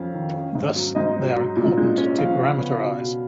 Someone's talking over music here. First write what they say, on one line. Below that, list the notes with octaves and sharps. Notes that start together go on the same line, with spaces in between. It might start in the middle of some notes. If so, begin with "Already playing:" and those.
Thus, they are important to parameterize.
Already playing: F2 C#4 F5
D#3
C#4
G#2
F#3
G#2 D#5
F#3
F#3
A#2
G#3
C#4
F3 F5
C#3
B3
B2
B2